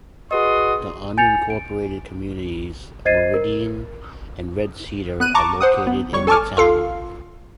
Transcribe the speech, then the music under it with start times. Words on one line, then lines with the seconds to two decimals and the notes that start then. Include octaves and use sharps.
The unincorporated communities of Meridean and Red Cedar are located in the town.
0.31 F#4 G#4 B4 D#5 C6 D#6
1.18 G#5 G6 A6 C#7 F7
1.50 D7
3.05 C5 D#5 G#6 A6 C7 D#7
3.34 A#4
5.20 B3 F#6 D#7
5.34 A5 A#5 C#6 D6
5.61 C5 F#5 D#6
5.87 B3
6.12 G1 G3 C#5 C#6
6.27 A4 G#5 A5 C#6 D6 F6
6.57 F4 A4 F5